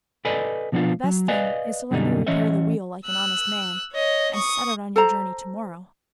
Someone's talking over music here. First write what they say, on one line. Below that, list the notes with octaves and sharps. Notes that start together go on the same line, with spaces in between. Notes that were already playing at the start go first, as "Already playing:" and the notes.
"The best thing is to let me repair the wheel like an honest man, and set out on your journey to-morrow."
A4 B4 D5 D#5 G#5 B5
B2 F3 A#3 B3 D4 F4
F#3
B4 D5 D#5 F5 G#5
F#2 B2 D3 G3 D#4
E3 C#4 C#5 D#5 E5
E6 F#6
C#5 D#5
C#6 D#6
A4 C5 A#5